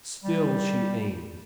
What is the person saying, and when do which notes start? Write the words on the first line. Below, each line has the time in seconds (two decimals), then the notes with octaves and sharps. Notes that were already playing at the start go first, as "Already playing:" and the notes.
Still she aimed....
0.24 G3